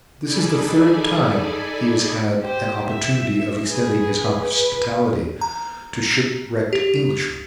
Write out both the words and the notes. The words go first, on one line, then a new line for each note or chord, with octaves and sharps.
This is the third time he has had an opportunity of extending his hospitality to shipwrecked Englishmen.
D#4 G#4 A4 D5 G#5 B5
G4 C5
E5
G#4 B4
B4
A#5
G4